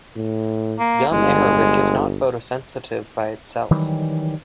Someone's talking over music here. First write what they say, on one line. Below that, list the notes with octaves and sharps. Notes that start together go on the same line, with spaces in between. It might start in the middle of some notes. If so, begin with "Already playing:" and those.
Gum arabic is not photosensitive by itself.
A2
A#3
G1 G#3
D#3 E3 F#3 G3